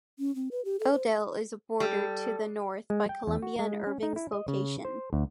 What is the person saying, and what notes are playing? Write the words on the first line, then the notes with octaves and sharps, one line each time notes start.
Odell is bordered to the north by Columbia and Erving's Location.
C#4
C4
B4
G4
A4
C5
G3 A4
G#3
G5
E2
F#4
G#3
C#4
D#4
E4
D#5
C#3
C5
D2